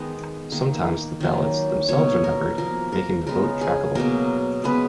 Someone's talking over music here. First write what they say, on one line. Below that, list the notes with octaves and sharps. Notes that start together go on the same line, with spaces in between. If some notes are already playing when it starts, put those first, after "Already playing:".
Sometimes the ballots themselves are numbered, making the vote trackable.
Already playing: D#3 G#3 B3 D#5
D#3 A#3
D#3 F#3 A#3
B2 A#3 C#5
A#4
F3 A#3 A#4
A#4
C#3 G#3 B3 A#4
G#4
B2 F#3 A#3 A#4
C#3 G#3 B3 B4